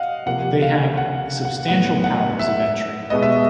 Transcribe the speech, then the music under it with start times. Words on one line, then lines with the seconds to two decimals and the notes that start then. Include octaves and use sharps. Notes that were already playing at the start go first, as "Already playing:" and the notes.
They have substantial powers of entry.
Already playing: D#5 F5 F#5
0.26 C3 F3 A#3 F#5
0.62 F5
0.97 F#5
1.45 F#5
1.68 A2 F#3 B3 F#5
2.04 F#5
2.39 E5
3.10 B2 G#3 B3 D#5
3.22 E5